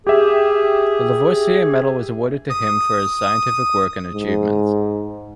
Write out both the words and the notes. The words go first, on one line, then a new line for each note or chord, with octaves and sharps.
The Lavoisier Medal was awarded to him for his scientific work and achievements.
G4 G#4 E5
D#6
G#2